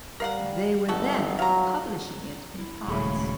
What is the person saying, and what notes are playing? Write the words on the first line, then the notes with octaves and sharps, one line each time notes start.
They were then publishing it in parts.
G3 A#4 F5 F#5
G1 C#3 F#4 A4
F#3 F5 A#5
E4
D#1 C#3 F#3 G#3 A3 E4 B5